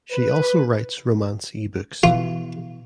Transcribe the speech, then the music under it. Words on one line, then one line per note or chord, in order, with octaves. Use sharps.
She also writes romance ebooks.
B4
B2 E3 F4